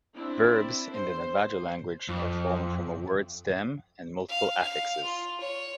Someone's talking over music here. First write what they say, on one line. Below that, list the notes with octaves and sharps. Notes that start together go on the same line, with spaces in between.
Verbs in the Navajo language are formed from a word stem and multiple affixes.
C4 D4 E4
C5
F2
F5
F5
F4
C#5